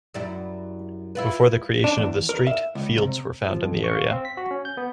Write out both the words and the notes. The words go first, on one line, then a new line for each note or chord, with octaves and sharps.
Before the creation of the street fields were found in the area.
F#2 G3 E4
E4 F4 B4
D4
E2
A#4
E5
C#2
C3
F3
F2
C#6
F5
C4
B6
F#4
C#4
G6
B3